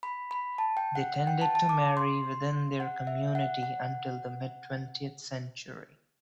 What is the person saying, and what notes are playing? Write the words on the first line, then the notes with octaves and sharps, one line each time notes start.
They tended to marry within their community until the mid-twentieth century.
B5
B5
A5
G5
F#5
F#5
G5
A5
A5
D6
C6
F#5
E5
F#5
F#5